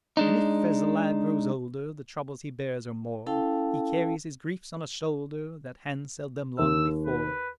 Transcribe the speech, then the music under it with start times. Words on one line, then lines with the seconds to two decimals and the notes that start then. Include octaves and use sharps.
And if as a lad grows older The troubles he bears are more, He carries his griefs on a shoulder That handselled them long before.
0.17 G#3 D4 D#4
3.26 C#4 E4 A4 F5 G5 A5
6.59 D#2 E6
7.06 B4